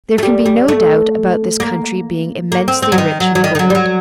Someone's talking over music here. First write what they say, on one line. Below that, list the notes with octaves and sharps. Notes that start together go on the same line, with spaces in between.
There can be no doubt about this country being immensely rich in gold.
A3
G3
G3
A3
A#3
A#3
C4
C4
F#3
D#3
F#3
F#3
D#3
D#3
F#3
G3
F#3